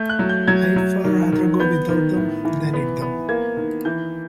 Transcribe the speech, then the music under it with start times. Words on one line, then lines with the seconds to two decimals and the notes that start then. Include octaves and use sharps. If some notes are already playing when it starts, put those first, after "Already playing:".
I’d far rather go without them than eat them!
Already playing: A3 G6
0.09 F#6
0.19 F#3
0.29 G6
0.47 F#3 G#6
0.76 F#3
1.05 D#3
1.33 D#3
1.60 B3 G6
1.89 D#3
2.17 A2
2.45 E3
2.74 B3
3.02 B3
3.29 A#3 G#6
3.57 D#3
3.85 E3 G6